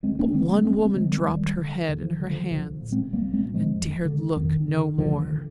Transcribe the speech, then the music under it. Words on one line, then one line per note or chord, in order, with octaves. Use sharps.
But one woman dropped her head in her hands and dared look no more.
D2 G#3 C4
A#3 D4
D3 G#3 C4
G3 A#3
D2 G#3 C4
G#3 C4
D3 F3 G#3
D#3 G3
D#2 D#3 G3
D3
D#2 D3
F3
D#3
D3
G3
D3 F3
C2 D3 F3
A#2
G#3 C4
C2 G3 A#3
G#3 C4
A#2
F3 G#3
F2
D3
F2 D#3
D3
D2 D3 F3
D#3
D3